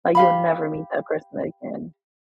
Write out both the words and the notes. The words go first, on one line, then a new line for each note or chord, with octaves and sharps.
Like, you'll never meet that person again.
G4 F5 B5